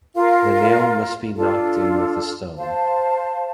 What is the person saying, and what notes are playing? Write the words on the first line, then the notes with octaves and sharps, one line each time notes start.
The nail must be knocked in with a stone.
F4 A#4 F5
D4 F4 A4
C5 F5 A5